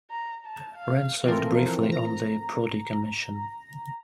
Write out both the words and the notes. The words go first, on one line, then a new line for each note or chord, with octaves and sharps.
Rehn served briefly on the Prodi Commission.
A#5
A5
F5
E3 F3 C4 F4 A4 A#4
A#5